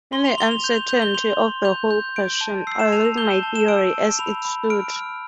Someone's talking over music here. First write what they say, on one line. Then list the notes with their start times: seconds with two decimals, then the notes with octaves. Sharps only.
In the uncertainty of the whole question I leave my theory as it stood.
0.13 C6 G7
0.25 F7
0.38 C6 G7
0.51 F7
0.63 G6 F7
0.76 F7
0.89 G6 F7
1.02 G7
1.14 C6 F7
1.40 C6
1.65 G6 F7
1.91 G6
2.16 G6 D7
2.41 A5
2.67 E6 C7
2.79 E7
2.92 A5 F7
3.05 F7
3.17 G6 G7
3.31 E7
3.43 A5
3.56 E7
3.68 E6 D7
3.94 A5
4.19 B5 F7
4.45 B5
4.70 F6 D7
4.96 F6